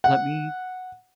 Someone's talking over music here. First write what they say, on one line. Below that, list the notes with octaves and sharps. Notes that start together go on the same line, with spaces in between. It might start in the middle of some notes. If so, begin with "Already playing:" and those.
Let me"
F#5